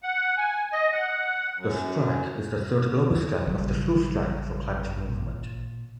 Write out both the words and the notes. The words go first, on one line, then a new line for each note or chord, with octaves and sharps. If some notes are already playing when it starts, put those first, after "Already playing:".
The strike is the third global strike of the school strike for climate movement.
F#5
G#5
D#5
F#5
F#2
A1 C#3 F#3 G3
A#2